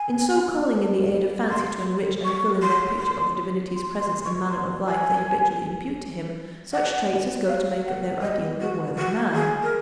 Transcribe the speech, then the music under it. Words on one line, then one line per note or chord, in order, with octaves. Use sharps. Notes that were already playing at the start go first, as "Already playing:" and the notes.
In so calling in the aid of fancy to enrich and fill in their picture of the divinity's presence and manner of life they habitually impute to him such traits as go to make up their ideal of a worthy man.
Already playing: G#5
C6
C#6
C6
C6
C6
C6
C#6
C6
G#5
F#5
F5
F#5
D#5
F#4
F#4
G#4
A#4